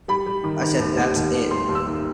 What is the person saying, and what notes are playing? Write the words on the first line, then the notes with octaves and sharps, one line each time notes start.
I said, 'That's it.
G3 B5
G3
D#3
D#3
D#2
D#2
D#2
D#2
G3 C6
D#2
E6
D#3